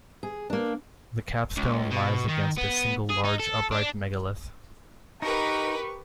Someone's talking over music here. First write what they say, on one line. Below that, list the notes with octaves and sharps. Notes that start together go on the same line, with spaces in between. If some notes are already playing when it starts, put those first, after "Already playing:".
The capstone lies against a single large upright megalith.
G#4
A#3 D4
C#2
B2
D#3
B3
G#4
D#4
A4
D4
D#4 G4 A#4 B4 C#6